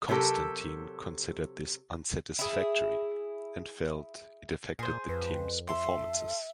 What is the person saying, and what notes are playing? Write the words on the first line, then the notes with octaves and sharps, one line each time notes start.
Constantine considered this unsatisfactory, and felt it affected the team's performances.
C3 F#3 G4 A4 A#4
E4 G#4
A#2 G#4 C5
F2 B4
A4 E5 C6